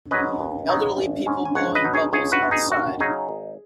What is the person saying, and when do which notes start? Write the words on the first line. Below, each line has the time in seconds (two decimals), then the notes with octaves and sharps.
Elderly person blowing bubbles outside.
0.11 G#2 F#3 C#4 B4 D#5
0.39 D#2
0.69 C#3 F#3 B3 D#4
0.98 G#1
1.26 G#2 G#3 C#4
1.45 G#5
1.55 C#2 C#5 F#5
1.75 B4 D#5
1.84 B2 F#3 D#4
1.94 G#4 C#5
2.13 C#2 G#4 C#5
2.32 F#4 B4
2.42 B2 B3
2.51 D#4 G#4
2.71 D#2 F#4
3.00 C#3 F#3 C#4 D#4 G#4
3.29 G#1